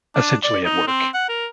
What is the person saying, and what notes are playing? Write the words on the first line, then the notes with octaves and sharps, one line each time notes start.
essentially at work.
D4
D5
D#4
C4
F#5
A#4